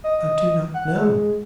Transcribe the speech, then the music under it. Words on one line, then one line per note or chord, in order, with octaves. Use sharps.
"I do not know."
D#5
D#5
F#5
G#3